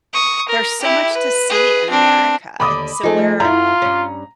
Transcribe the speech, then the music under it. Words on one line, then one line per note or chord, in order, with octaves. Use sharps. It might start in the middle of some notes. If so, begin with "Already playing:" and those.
there's so much to see in America, so, where
C#6 D#6
A#4
E4 G4
B4
G#4 B4
C4 D4
D#2 D3 B5 D6 D#6
F3 A3 D#4 G#4 A4
F#2 E4 F4 A#5
G2 C#4